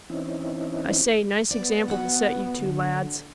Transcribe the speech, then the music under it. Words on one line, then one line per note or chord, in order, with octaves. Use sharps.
I say, nice example to set you two lads.
E3 C4 C#4 D#4 E4
B3 D5
F#4 F#5
D3